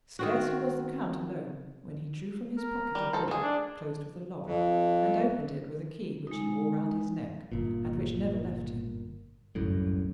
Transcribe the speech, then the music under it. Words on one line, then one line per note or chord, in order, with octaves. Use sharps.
Scarcely was the count alone, when he drew from his pocket a book closed with a lock, and opened it with a key which he wore round his neck, and which never left him.
D#3 C4 F#4
A#4
G3
A4 C5
A3 G#4
D4
F2
G#3 D#4
G1 A#2
G1 C2 F#2 A2